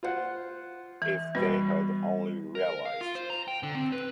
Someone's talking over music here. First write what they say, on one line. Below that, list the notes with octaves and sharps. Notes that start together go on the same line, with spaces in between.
If they had only realized!
F4 C5 F#5
E3
B2 G3 B4
A#4
F5
F4
C5
A#5
G5
D3
C4
B4